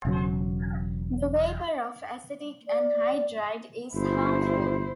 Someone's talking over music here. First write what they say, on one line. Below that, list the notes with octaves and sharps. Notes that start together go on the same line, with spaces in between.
The vapour of acetic anhydride is harmful.
E1 C#3 F#3
D5
G1 E4 C5